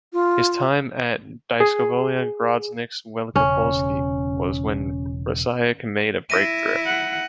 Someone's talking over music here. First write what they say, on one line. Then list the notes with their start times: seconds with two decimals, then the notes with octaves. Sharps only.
His time at Dyskobolia Grodzisk Wielkopolski was when Rasiak made a breakthrough.
0.13 F4
1.60 G#4
3.36 E1 C#3 C#4
6.30 E4 A#6 D#7
6.86 F#5